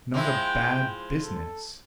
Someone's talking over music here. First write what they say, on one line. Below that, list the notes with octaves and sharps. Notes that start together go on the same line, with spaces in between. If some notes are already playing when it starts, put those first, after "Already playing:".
"Not a BAD business?"
F3 G#3 E4 G5
A4